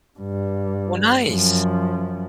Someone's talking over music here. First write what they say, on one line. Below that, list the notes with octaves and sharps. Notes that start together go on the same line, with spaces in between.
Oh, nice.
G2
F#2 F3